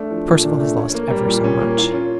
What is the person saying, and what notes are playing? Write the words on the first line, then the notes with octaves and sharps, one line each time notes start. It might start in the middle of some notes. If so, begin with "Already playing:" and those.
"Percival has lost ever so much."
Already playing: A3 D4
F3
A#2
D4
A3
C#4
A#3
G3
A#2
C#4
A#3
F4
C#4